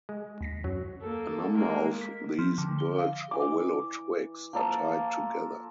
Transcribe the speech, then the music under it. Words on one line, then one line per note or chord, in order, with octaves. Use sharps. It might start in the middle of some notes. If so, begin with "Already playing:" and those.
A number of these birch or willow twigs are tied together.
G#3
D#2 A#6 B6
F#2 F#3
A#3 A4
G#3 A#3
B6
F3
D3
G7
F5
E3 D6
F3 A#3 A4